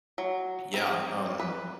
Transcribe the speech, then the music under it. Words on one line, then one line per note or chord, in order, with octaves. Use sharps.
Yeah. Um,
F#3
C4
B4